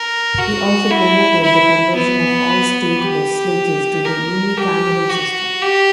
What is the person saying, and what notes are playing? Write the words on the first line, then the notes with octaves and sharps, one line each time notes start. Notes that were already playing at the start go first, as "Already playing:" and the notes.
He also promoted the conversion of all state legislatures to the unicameral system.
Already playing: A#4
F#4
E4
E4
B3
G4
A#4
G4
F#4
G4